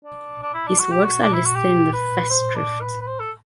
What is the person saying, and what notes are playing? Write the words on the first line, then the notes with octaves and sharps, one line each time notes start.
His works are listed in the festschrift.
D4
D4
E4
D4
F#4
G4
F#4
D4
E4
F#4
G4
B4
C5
D4
B4
B4
C5
A4